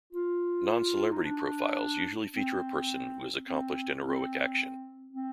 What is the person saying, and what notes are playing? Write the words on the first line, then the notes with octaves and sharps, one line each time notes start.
Non-celebrity profiles usually feature a person who has accomplished an heroic action.
F4
D#4
D4
C4
C4
C4
C4